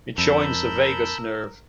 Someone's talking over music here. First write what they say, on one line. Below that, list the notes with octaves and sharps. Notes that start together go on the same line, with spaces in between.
It joins the vagus nerve.
F2 A#4 A5 B5 E6 G6